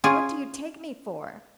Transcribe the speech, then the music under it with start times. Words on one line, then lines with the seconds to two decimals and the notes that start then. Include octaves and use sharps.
"What do you take me for?"
0.04 C#4 F4 G#4